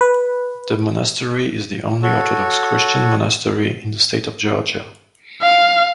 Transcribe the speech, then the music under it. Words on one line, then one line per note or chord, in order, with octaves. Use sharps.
The monastery is the only Orthodox Christian monastery in the state of Georgia.
B4
F#4 A4 C#5
F5